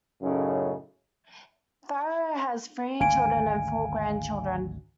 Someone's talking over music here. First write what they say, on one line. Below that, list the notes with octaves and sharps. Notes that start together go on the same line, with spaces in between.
Farrow has three children and four grandchildren.
F#2 A2 C#3 A3 D#4
G#1 D2 D3 F5 G#5 D7